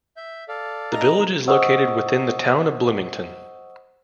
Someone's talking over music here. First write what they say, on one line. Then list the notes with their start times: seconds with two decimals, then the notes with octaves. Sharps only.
The village is located within the Town of Bloomington.
0.17 E5 G6
0.48 A4 D5 F5
0.93 D#4 A#5
1.47 C5 D#5 F#5 C#6 D#6 E6